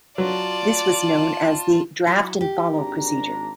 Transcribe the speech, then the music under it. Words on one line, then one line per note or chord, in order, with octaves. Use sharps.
This was known as the "draft-and-follow" procedure.
F#3 F4 D5 A5
F#3 E4
G4
G#1 D4 A#5